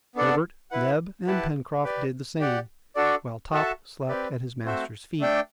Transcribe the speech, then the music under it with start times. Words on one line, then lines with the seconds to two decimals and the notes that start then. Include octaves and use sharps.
Herbert, Neb, and Pencroft did the same, while Top slept at his master's feet.
0.15 B3 D4 A4 D5 F#5
0.71 E4 B4 F#5
1.27 E4 G4 B4 F#5 A5
1.83 G4 B4 D5
2.40 G4 D5 F#5
2.96 D4 F#4 A4 D5
3.53 F#4 A4 E5 A5
4.08 C4 G4 B4 D5
4.65 A3 C4 F#4 C5 E5
5.20 A3 D4 A4 D5 G5